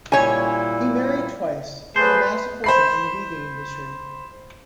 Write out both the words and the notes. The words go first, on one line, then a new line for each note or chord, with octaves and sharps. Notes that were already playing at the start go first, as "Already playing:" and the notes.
He married twice and amassed a fortune in the weaving industry.
A#2 G3 E4 C#5 G#5
A3 G#4 B4 C5 A5
C5 B5 C7